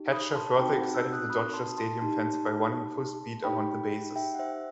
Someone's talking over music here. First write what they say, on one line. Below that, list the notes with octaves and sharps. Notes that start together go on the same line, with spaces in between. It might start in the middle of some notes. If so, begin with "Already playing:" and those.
Hatcher further excited the Dodger stadium fans by running full speed around the bases.
Already playing: D#4 G4
B5 D#6
A5 C6
C4 D#4 F#4 G5 B5
F#5 A5
E6 G6
D#6 F#6
B5 D#6
A5 C6
A5 C6
D#4 G4 A5 C6
D#4 G4 G5 B5
E5 G5
F#5
C5 E5